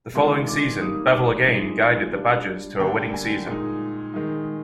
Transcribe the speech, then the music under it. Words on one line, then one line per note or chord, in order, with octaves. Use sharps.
The following season, Bevell again guided the Badgers to a winning season.
C3 D#3 G#3 D4 F4 C6
D6
G3 A#3 D#4 D#6
D6
C3 F3 G#3 D#4
G3 D4 F4
D3 G3 A#3 D4 G5
G#5
A#2 G#3 D#4
D#3 G#3 D#4